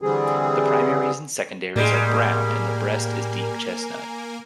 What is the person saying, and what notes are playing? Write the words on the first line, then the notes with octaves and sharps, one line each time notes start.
The primaries and secondaries are brown and the breast is deep chestnut.
D3 E3 G3 C4 G#4
A2 G3 G#3 A#3 A#4 G#5